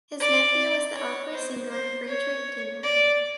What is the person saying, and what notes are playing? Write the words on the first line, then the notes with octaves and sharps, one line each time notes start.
His nephew was the opera singer Friedrich Demmer.
D5
C#5
C5
C5
C#5
D5